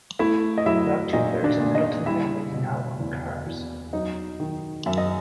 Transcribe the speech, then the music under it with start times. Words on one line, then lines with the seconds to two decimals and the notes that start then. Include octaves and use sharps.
About two-thirds of Middletown families now own cars.
0.19 A3 E4 E5
0.58 D#5
0.66 F#3 E4 E5
1.13 A#2 D#4 D#5
1.44 D4 D5
1.60 A#2
1.75 D#4 D#5
2.06 G3 E4 E5
2.53 B2
3.00 E2
3.46 E2
3.93 F#3 D#4 D#5
4.40 D#3
4.86 F#2 E5
4.98 D#5